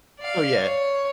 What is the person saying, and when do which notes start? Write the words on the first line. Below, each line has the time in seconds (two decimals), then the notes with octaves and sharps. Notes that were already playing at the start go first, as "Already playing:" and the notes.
Oh, yeah.
0.19 D5 F5
0.60 C#5